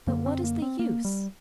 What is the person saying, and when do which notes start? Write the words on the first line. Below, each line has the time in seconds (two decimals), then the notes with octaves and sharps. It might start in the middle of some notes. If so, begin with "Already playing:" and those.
But what is the use?
0.07 F#2 D3 A#3
0.26 C4
0.44 A#3
0.62 C4
0.79 A#3
1.05 G3